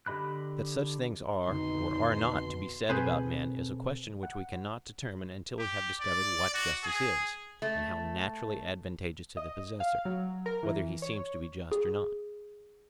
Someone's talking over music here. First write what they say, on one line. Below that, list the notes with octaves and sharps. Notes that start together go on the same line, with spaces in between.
That such things are or are not to be said about men is a question which we cannot determine until we have discovered what justice is, and how naturally advantageous to the possessor, whether he seem to be just or not.
D3 G4 D#5 B5 F#6
F2 B2 D3 D#3 D#4 C6
B2 C4 G#4 A4 B4 C5
F#5
G4
D5
F#4
G#4
A3
D#5
F5
F#3
A#4
E3
C#5
G#4